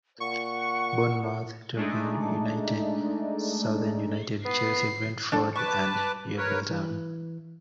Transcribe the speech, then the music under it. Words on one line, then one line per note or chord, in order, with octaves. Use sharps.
Bournemouth, Torquay United, Southend United, Chelsea, Brentford and Yeovil Town.
A#2 F#5 C#6
G#3 A3 D4 D#4
B3 C7
D4 A4
B4 A5 C#6 D6
A#4 B4 C#5
E3